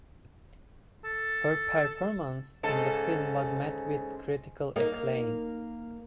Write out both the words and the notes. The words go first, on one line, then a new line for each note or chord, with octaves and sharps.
Her performance in the film was met with critical acclaim.
A4
G#2 C#3 A4
A#3 D#4